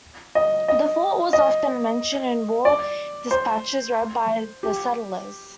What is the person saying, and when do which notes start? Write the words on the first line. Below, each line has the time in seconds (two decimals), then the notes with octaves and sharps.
The fort was often mentioned in war dispatches read by the settlers.
0.35 D#5
0.68 D#5
1.33 D#5
2.65 D5
3.31 C5
4.63 G4